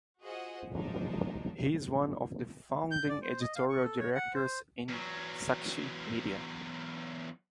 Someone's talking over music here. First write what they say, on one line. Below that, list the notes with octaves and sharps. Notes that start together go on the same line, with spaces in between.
He is one of the founding editorial directors in Sakshi Media.
F4 F#4 G#4 C5 D#5 F#5
F3 F#3 G#3 D4 D#4
G6
D5
C5
D#5
F5
C#6
A4
C#5
F#5
C5
E2 F#3